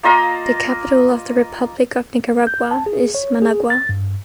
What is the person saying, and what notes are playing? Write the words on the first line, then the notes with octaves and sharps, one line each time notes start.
The capital of the Republic of Nicaragua is Managua.
A#3 F4 D#5 A#5
G6
A5
G#4
C#5
G#4
A6
G2